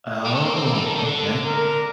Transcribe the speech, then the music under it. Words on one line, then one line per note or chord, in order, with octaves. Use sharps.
Oh, okay.
G3 A4
A3
A#3
C4
A#3
G3
D#3
D#3
D3
A#4